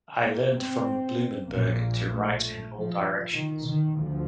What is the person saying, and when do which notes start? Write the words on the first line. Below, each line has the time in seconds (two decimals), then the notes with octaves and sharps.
I learned from Blumenberg to write in all directions.
0.23 A#3
0.55 C4
1.48 A#1 A#2 A#3
2.11 A3
2.73 F3
3.35 D#3
3.66 D#3
3.97 D2 F3